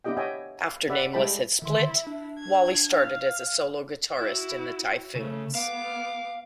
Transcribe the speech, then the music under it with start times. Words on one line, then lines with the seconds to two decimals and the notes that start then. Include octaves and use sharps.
After Nameless had split, Walli started as a solo guitarist in The Typhoons.
0.04 B3 D4 E4 G4 D#5 G5
0.17 G4 C#5 D#5 E5 G5 G#5
0.62 F5
0.89 G4 B4 D5 E5 F#5
1.13 G3 G#3 E4 G5 A5 B5
1.62 D3 D#3 E4 C6
2.07 D4
2.40 G#6
2.93 F5
4.18 E4 F#4
5.15 C#3 A3
5.55 B3 F5 D6